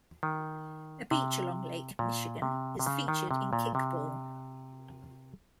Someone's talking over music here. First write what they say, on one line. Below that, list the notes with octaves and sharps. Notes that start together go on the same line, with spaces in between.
A beach along Lake Michigan is featured in "Kickball".
D#3
C3
A#2
C3
C3
C#3
D#3
C3
A#2
C3